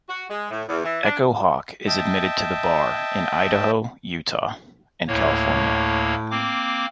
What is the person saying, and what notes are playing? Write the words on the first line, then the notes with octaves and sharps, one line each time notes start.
Echo Hawk is admitted to the bar in Idaho, Utah and California.
F#4
G#3
A2
E2
E3
D4
D#5 E5 G5 A5
D2 A2 A#3 C#5
A#3 C4 D6